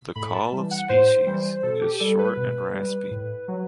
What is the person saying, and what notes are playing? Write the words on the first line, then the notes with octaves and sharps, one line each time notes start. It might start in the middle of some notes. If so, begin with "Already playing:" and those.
The call of species is short and raspy.
A2 B5
A5
E3 G3
F#5
A2 C5
E3 G3
B2 A4
G4
G3 A4
B4
B2
G3
A2
F#3